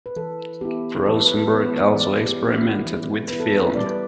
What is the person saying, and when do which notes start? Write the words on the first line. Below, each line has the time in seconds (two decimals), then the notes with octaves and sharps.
Rosenberg also experimented with film.
0.06 B4
0.16 E3 A4
0.61 B3 E4 G4
1.06 E3 A4
1.21 B4
1.34 A4
1.50 B3 E4 B4
1.95 E3 D5
2.25 G4
2.41 B3 E4
2.85 E3
3.29 B3 E4 B4
3.40 A4
3.51 B4
3.75 G3 D5
3.84 B4